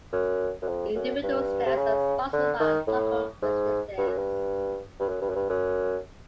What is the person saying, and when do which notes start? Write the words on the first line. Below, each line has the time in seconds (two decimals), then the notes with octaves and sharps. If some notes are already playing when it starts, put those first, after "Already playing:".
Individual stands are sponsored by local businesses.
0.13 F#2
0.62 F#2
0.68 F2
0.95 F#2
1.23 G2
1.66 C3
1.77 C#3
2.33 D3
2.60 D#3
2.88 A2
3.42 G#2
3.98 G2
4.08 F#2
4.18 G2
5.00 G2
5.08 F#2
5.22 G2
5.29 F#2
5.36 G2
5.50 F#2